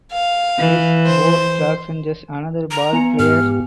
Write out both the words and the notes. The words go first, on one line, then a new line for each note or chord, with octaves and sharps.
Is Bo Jackson just another ball player?
F5
E3
C5
A#5
B3 G#5 C#7
G#2 G4 F6